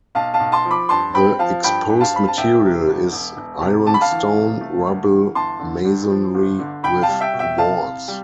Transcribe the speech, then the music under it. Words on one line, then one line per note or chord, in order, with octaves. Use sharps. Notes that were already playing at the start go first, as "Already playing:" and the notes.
The exposed material is ironstone rubble masonry, with walls.
B1 F5 A5
F5 A5
B1
A5 C6
F3
B5 D6
G2 A5 C6
C4 G5 B5
F3 F5 A5
G2 G5 B5
G2
F5 A5
C4 B5
A5
E1 E5 G5
C3
D2
E1
E1
C3
D2 A5
B5
F5 A5
E3
C3
A3
D2
E3
G1 A5 C6
D3
G2
F3
G1
D3
C2 G5 B5
F5 A5
G3
E5 G5
B2
E5 G5
C2 F5 A5
C2
G3